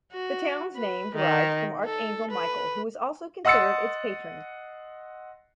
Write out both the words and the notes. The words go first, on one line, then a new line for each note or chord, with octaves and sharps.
The town's name derives from Archangel Michael who is also considered its patron.
F#4
B4
D#3
A4
B4
D#5 F#5 C6 E6 A6 C#7